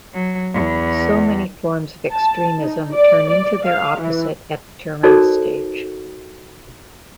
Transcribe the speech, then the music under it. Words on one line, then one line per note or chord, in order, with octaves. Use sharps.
So many forms of extremism turn into their opposite at the terminal stage.
F#3
E2
A5
D#4
D5
D5
F5
E3
D#4 F#4 A4 A#4 C5 D5